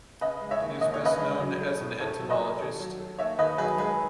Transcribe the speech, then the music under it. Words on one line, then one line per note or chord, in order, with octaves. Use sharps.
He is best known as an entomologist.
C#3 B4 D#5
G#3
C#5 E5
D#2
D#2 D#5
C#5
C#3 B4 D#5
G#3
F#3
A3
A2
A2 A4 C#5
F#3
B4 D#5
A3
D#3 A4 C#5
F#3
A3
D#2 C#5 E5
D#3 B4 D#5
F#3 G#4 B4
G#3 G#4 B4